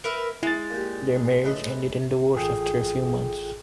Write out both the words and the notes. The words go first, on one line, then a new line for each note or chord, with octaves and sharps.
Their marriage ended in divorce after a few months.
A#4 B4 E5
G#3 E4 A6
A#2 G4
A2 B4 D#5
A1 F4 G#4 A4 G5 C7